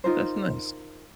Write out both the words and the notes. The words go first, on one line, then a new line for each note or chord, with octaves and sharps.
That's nice.
D#4 F4 A#4 C5